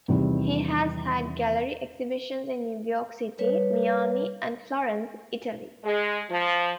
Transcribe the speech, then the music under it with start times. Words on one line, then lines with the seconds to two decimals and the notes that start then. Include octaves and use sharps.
He has had gallery exhibitions in New York City, Miami, and Florence, Italy.
0.08 E2 C3 D#3 G3 C4
3.39 G3 B4 C#5
5.84 G#3
6.30 F3